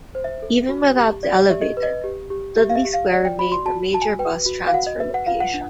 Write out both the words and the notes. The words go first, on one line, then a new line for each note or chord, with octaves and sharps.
Even without the Elevated, Dudley Square remained a major bus transfer location.
C5
E5
A4
F#4
G4
D5
G4 E5
D#5
B4
D#5
G4
G4
G4 E5
F5
E5
G4
F5
D5 F#5
G5
F#4 B5
C6
F#4 A5
F#4 A5
G#5
B4 G5
F#4
F5
F#4 F#5
D#5
B4 E5
F#5
F4 F5
F#5
D4